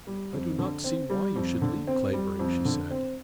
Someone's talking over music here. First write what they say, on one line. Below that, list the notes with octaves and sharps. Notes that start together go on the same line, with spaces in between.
"I do not see why you should leave Clavering," she said.
G3
F2
D3
C4
G3
F2
D3
C4
G3
F2
D3
C4